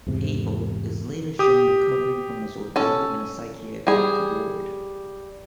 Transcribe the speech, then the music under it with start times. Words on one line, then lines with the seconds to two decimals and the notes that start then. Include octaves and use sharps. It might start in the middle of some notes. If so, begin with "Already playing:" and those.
Abel is later shown recovering from his ordeal in a psychiatric ward.
0.07 E2 G#2 C3
1.39 G4 D#6
2.76 C#4 A4
3.87 G3 G#4